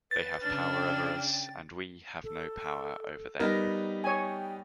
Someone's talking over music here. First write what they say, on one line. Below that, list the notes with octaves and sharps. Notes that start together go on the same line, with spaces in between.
They have power over us, and we have no power over them.
B4 A6
C#3 D4 F6
G5
A4
G3 B3 D#4 A#4
C#5 G5 G#5